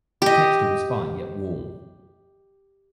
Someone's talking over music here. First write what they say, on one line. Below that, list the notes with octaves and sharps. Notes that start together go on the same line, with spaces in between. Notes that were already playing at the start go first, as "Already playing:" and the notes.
The texture was fine yet warm.
G4 D#5